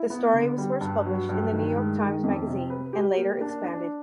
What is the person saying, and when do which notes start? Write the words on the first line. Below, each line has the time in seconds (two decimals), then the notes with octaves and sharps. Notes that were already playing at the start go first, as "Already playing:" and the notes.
The story was first published in "The New York Times Magazine" and later expanded.
Already playing: E4
0.10 B3
0.33 D3
0.58 G3
0.81 G2
1.05 F#3
1.29 G2
1.52 D#3
1.76 G#3
1.99 D#3
2.23 F2
2.47 C3
2.70 B4
2.93 G4
3.17 A#3
3.41 D4
3.64 D4